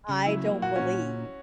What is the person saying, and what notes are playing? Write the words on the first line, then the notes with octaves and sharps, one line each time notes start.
I don't believe
C#3
F#3 E4
A#3
A#2 F#4
C#4
A#2